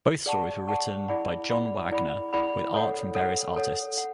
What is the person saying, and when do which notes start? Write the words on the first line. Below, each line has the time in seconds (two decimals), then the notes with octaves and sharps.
Both stories were written by John Wagner with art from various artists.
0.26 G#4 D5 F#5 A5 C#6
0.68 G#4 D5 F#5 A5 C#6
1.08 E4 G#4 D5 F#5 B5
1.50 E4 G#4 D5 F#5 B5
1.91 E4 G#4 D5 F#5 B5
2.33 E4 G#4 D5 F#5 B5
2.74 A4 C#5 F#5
3.15 A4 C#5 F#5
3.56 A4 C#5 F#5
3.98 F#5